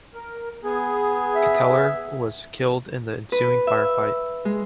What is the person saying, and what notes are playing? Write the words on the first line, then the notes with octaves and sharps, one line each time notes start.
Ketteler was killed in the ensuing firefight.
A#4
B3 G#4
E5
B4
E5
G#3